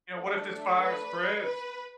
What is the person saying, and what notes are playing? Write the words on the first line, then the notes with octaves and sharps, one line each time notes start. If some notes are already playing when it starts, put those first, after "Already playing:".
you know, what if this fire spreads
A3 D4 A4
B4
B4